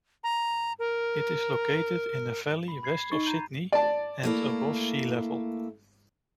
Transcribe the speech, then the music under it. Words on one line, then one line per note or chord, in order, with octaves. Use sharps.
It is located in a valley west of Sydney and above sea-level.
A#5
A#4
B5
B5 G#6 C7
D#4 C#6 A6
A#5 G6 D#7
D5 A5
A3 A#3 E4